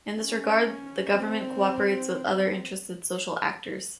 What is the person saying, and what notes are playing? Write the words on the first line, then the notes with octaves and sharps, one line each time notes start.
In this regard, the government cooperates with other interested social actors.
C#4
C4